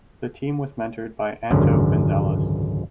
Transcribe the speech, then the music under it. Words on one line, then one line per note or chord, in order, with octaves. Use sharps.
The team was mentored by Anto Gonzales.
G#1 C#2 F#2 D3